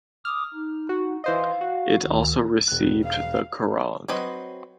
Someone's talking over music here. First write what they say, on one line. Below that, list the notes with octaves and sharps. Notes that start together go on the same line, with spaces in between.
It also received the Kerrang!
D6 D#6 F6
D#4
F#4
E3 C5 D#5 F5
F#4
D2 D#3
E1 F#6
F5
F#3 C4 B4 D#5